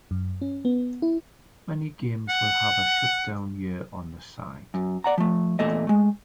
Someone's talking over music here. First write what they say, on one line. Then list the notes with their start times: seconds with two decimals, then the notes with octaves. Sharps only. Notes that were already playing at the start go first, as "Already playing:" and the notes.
Many games will have a shutdown year on the side.
0.11 F#2
0.42 C#4
0.65 B3
1.02 E4
2.29 F#5
4.74 F#2
5.04 D5 F#5 A#5
5.18 F3 A3
5.59 E2 A#2 A3 D#5
5.87 G#3 A3